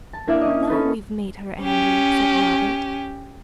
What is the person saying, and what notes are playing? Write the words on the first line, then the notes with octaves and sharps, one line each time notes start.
"Now we've made her angry," said Robert.
A5
A#3 D4 E4 D5 E5 F5
C#4 D#5
C#4 A4 B4
C#4 G4